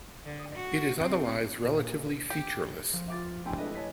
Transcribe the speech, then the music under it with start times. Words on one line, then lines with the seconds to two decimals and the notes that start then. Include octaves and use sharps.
It is otherwise relatively featureless.
0.25 D3
0.55 F#4
0.98 C4
1.64 A#2
2.30 G4
2.93 F3
3.08 C4 F4 E5 D6 A6
3.45 A3 D4 E4 G4 G5 G#5 C6
3.57 F2 G#3 D4 B4 D#5 E5
3.75 C#5 G#5 A5 B6